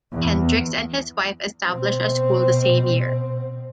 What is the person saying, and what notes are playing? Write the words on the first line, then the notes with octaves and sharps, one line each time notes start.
Hendrix and his wife established a school the same year.
E2
B2 C4